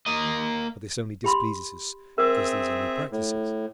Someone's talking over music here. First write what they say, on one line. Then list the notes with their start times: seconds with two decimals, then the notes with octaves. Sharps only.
But this only displeases us because these are new practices.
0.06 A#3 D#5
1.24 G4 B5 C6
2.18 C4 G#4 A#4 E5 D#6
3.12 A2